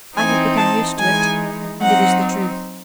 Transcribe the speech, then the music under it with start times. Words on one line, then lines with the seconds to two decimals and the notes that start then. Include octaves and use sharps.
I have become used to it,--and, it is the truth.
0.16 E3 C4 D#4 G#5
0.57 A5
0.98 E3 G#3 D#4 G#5
1.80 F#3 C4 D#4 F#5